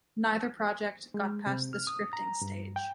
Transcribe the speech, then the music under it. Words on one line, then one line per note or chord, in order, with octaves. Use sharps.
Neither project got past the scripting stage.
G#3
C3
F6
D#6
A#5
G2
G5